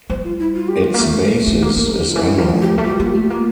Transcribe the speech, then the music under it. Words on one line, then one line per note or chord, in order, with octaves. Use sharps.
Its basis is unknown.
G3 C5
F4
E4
F4
G4
F4
A#3
A3
A3 G4
A#3 A4
A#3 A#4
D3 G4
F4
E3
E4
F3 F4
G4
A3
G3 F4
G4
A#3 F4
G4
A3 F4
G4
A#3 F4